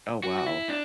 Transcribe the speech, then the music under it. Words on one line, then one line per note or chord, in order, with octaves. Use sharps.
Oh, wow.
F#4
F#4
E4
D4